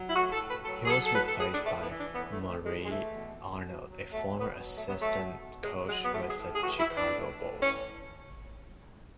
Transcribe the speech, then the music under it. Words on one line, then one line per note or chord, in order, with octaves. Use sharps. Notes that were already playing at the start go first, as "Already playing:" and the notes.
He was replaced by Murray Arnold, a former assistant coach with the Chicago Bulls.
Already playing: F#3
E4
A2 F#4
A4
A2
B4
F#3 A4
G#4
F#3 A4
A4
A2 B4
A4
A2 G#4
D4
E3 A3
B3
E3
D4
A2 B3
A3
A2
A3
E3 G#3
G#3
E3 A3
B2
B2
F#3
F#3
B2 A3
B2 B3
F#3
A3
F#3 B3
A3
B2
B2
F#3 G#3
F#3 G#3
B3
A2 A3
G#4
A2
G#4
E3 F#4
E4
E3
D4
A2
A2
E3 C#4